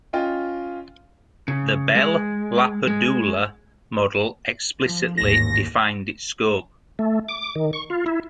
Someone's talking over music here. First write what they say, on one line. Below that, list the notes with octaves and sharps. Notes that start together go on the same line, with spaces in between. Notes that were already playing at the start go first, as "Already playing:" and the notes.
The Bell-LaPadula model explicitly defined its scope.
C#4 F4 D#5 G5
C#3
G#3
G#3
F3
A1 D#2 G#2 A#6
A3
D6
D#3
C#6
F4
E4